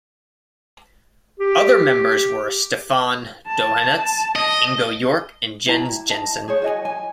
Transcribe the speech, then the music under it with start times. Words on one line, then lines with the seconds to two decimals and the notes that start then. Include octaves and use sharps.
Other members were Stefan Dohanetz, Ingo York and Jens Jensen.
1.40 G4
3.47 A5
4.36 D#5
5.66 E4 G4 A5 A#5
6.10 D#5 A5
6.48 G#4 C5 C#5
6.62 F#4 D#5 G#5
6.85 G#5